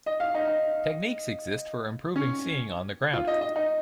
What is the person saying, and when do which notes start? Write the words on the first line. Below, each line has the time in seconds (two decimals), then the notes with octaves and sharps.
Techniques exist for improving seeing on the ground.
0.06 D#5
0.20 F5
0.34 D#4
0.47 D#4
2.16 C#4
3.13 F4
3.27 D#5
3.41 D#5
3.56 D#4